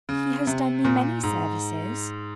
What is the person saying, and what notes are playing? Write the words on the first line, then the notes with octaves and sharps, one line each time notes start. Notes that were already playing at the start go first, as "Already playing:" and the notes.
"He has done me many services."
C#3
C3
A#2
G#2